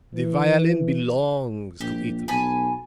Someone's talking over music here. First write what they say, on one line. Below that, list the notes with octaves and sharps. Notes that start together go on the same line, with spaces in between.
The violin belongs to Italy.
E3
A#1 G4
B1 G#5 A5 B5